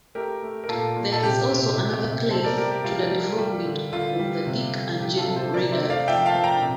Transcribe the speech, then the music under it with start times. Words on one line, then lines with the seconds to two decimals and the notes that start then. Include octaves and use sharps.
There is also another claim to the development of the Dick and Jane readers.
0.15 A3 G4 A#4
0.42 A3
0.64 A#4
0.69 A#2 F4 A4
0.96 A#2
1.12 A4
1.23 C3 G4
1.50 C3
1.77 C3
2.04 C3
2.31 A2 A4 C5
2.44 A#4 D5
2.57 G3 G4 A#4
2.71 G4
2.84 G3 F4
3.11 G3
3.39 G3
3.65 D3
3.92 D3 F4
4.19 G3
4.46 C3
4.73 G3
5.00 G3 G4
5.18 F4 A4
5.26 C3
5.36 A4 C5
5.54 C3 A#4 D5
5.72 C5 E5
5.81 A3
5.90 D5 F5
6.08 F3 E5 G5
6.26 F5 A5
6.35 F3
6.44 G5 A#5
6.62 C3